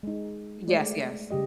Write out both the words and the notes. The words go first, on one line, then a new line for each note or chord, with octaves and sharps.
Yes, yes.
G#3 D#4
G#3 A3 D5
C#3 G3 G4 D#5